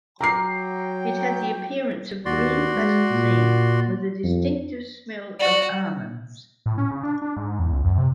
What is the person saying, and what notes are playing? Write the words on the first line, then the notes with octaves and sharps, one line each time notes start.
It had the appearance of green plasticine with a distinctive smell of almonds.
F#3 G5 A#5 D6 C7
D#2 F#4 D5 C6
G#3
A#2
F2
F#4 D5
A2
C#4
C#3
D4
D4
G#2
E2
C#2
F#2
C3